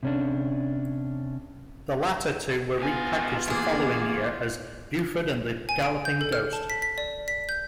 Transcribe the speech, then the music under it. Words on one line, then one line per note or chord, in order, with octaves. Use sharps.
The latter two were repackaged the following year as "Buford and the Galloping Ghost".
C3 C#4 D4
D2 B3 F4 G#5
E3 A3 A#3 G#4
G#5
D7
G6
A4
F6
A5
B6
B6
D5
B6
G6